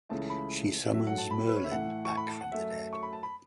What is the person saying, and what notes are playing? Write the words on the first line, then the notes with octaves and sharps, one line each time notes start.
She summons Merlin back from the dead.
C#2 C#3 E3 A3 A5
B5
A2 F#3 A3 E5
F#5
A5
B5
B4
C#5
E5
A2 E3 A3 F#5
C#6
B5
A5
F#5
F#2 F#3 A3 E5
C#6
B5
A5
B5